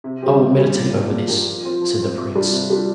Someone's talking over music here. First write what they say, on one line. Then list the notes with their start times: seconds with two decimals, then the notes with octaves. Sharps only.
"I will meditate over this," said the prince.
0.04 C3
0.22 G3 C4 G4
0.40 C3
0.58 G3 C4 G4
0.75 A#2
0.93 A#3 D4 G4
1.10 A#2
1.28 A#3 D4 G4
1.46 F3
1.64 C4 F4
1.81 F3
1.99 C4 F4
2.17 C3
2.35 G3 D4 F4
2.52 C3
2.70 G3 D4 F4